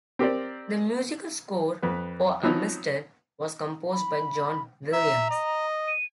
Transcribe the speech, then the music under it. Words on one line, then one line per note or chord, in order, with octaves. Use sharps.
The musical score for "Amistad" was composed by John Williams.
C4 G4 A#4 C5 D5
F2 B4
F3 F#3 B3 C4 D#4
B5
E5 A#5
D#5
D#7